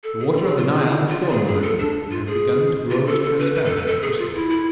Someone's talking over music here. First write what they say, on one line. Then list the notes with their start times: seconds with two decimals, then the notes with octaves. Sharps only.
The water of the Nile had fallen a little, and had begun to grow as transparent as a crystal.
0.04 A4
0.20 G#4
0.36 F4
0.46 G#4
0.57 F4
0.67 F4
0.78 G#4
0.88 E4
1.10 F4
1.21 F4
1.31 G#4
1.47 G#4
1.63 A4
1.79 D4
2.11 F4
2.27 G#4
2.91 F4
3.07 A4
3.23 A4
3.39 B4
3.55 B4
3.65 A4
3.76 B4
3.87 A4
4.02 G#4
4.18 F4
4.34 E4
4.50 E4